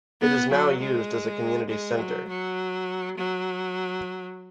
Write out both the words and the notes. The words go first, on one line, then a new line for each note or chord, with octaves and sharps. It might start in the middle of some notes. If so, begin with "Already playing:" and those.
It is now used as a community center.
B3
F#3
G#3
G#3
F#3
F#3
F#3